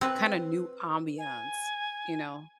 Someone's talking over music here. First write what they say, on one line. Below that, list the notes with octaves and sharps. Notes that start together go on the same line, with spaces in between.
kind of new ambiance, you know.
C4 B4
G#5